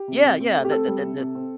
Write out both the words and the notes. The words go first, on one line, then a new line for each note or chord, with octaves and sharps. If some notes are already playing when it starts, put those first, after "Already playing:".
Yeah, yeah, the the the the
Already playing: G4
C3
C3
C4
A3
G4
C4 A4
G3
C3
C3
C4